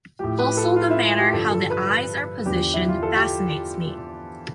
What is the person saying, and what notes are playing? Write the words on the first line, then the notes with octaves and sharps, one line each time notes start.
Also the manner how the eyes are positioned fascinates me.
A2 F3 G4
B4
A4
F4
E4
F4
G4
G2 D3 F3 A4
A4
B4
B4
E2 D3 F3 G4
E4
F4
A4
G4